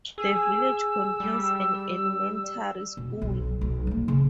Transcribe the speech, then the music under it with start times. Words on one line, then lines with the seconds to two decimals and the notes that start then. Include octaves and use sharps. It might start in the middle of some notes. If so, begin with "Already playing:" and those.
The village contains an elementary school.
0.18 G#4 E6
1.20 G3
2.97 B2
3.22 B1
3.61 B1
3.87 F#3 A#3
4.08 C#3